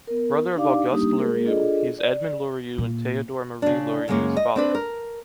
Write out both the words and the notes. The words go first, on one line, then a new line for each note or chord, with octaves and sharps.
Brother of Auguste Lorieux, he is Edmond Lorieux and Théodore-Marie Lorieux’s father.
B3 A#4
D4 D#4 G4 D5 F5 D6
G3 A#3 D4 D#4 G4 D#6
G#3 A#3 G#4 A#4
D4 F4 G#4 A4 D5 D#5
D5
A#2
C#3 D4
F#2 C#3 G#3 A#3 C#4
D#5
C4 D4 B4
A#4